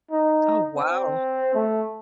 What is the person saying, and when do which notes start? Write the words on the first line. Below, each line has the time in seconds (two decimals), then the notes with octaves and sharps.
Oh, wow.
0.11 D#4
0.77 C4
1.55 A3